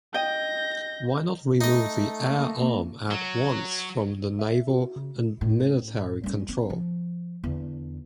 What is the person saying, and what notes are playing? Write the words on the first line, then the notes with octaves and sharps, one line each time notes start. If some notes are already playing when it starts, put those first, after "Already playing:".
Why not remove the ‘air arm’ at once from ‘the naval and military control’?
D#5 G5 G6 A#6
A3 D#4 D#5
A#3
F#3
E5
F#4
C#3
A2
G3 C#4
C4
F3
E2 D3